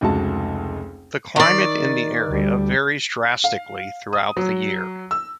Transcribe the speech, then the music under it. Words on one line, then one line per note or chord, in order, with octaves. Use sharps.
The climate in the area varies drastically throughout the year.
F1 C#2 F#4 A5
D#3 D5
D2 G3
F5
D#6
F#3
E6